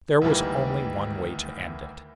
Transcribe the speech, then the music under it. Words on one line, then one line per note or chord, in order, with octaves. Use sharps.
There was only one way to end it.
D2 A2 D#3 E3 G3 A#3